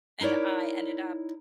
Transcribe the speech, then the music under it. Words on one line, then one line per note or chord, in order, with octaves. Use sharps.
and I ended up
D#4 E4 A#4 C#5 D5